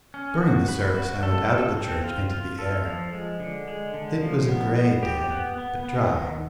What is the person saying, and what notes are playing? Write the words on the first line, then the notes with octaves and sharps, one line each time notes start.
During the service I went out of the church into the air: it was a grey day, but dry.
C#4
F#4
B4
F#4
A4
A4
C4
F4
F4
A4
F3
G#3
D3
G#3
D3
F3
B3
B3
G4
B3
B3
B3
D#3